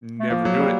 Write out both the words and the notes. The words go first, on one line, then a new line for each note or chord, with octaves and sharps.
never do it.
A3
F3 A#3
F#3
G3